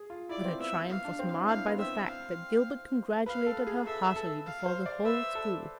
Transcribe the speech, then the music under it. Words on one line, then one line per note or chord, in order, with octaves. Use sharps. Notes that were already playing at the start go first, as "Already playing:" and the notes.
But her triumph was marred by the fact that Gilbert congratulated her heartily before the whole school.
Already playing: G#4
F4
E4 D5
C4
B3 E5
B3
F5
D4
C4
E4
D4 F5
B3
C4 E5
F5
B4 F5
A4
G#4
A4 E5
A4
F5
C5
D5
B4 E5
A4